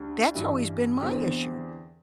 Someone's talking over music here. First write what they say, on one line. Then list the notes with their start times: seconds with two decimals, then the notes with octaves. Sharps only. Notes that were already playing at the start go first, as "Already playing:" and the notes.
that's always been my issue.
Already playing: D2 D3 G3
0.34 A1 G2 G3 E4
1.01 E2 D3 C4 G4